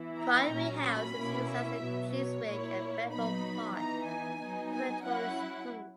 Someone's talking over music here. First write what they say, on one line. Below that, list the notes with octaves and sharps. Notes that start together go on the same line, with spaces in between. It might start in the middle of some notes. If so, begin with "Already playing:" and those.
Priory House is used as the Chiswick and Bedford Park Preparatory School.
Already playing: E3 B3 E4
A#5
A#2 F#3 C#4
B5
B2 A#3 C#4 E4
E5
B2 F#3 B3
C#5
A#2 A#3 E4
F#3 B3 D#4 B5
E3 B3 D#4 A#5
G#5
F#3 B3 D#4
G#5
F#3 C#4 E4 F#5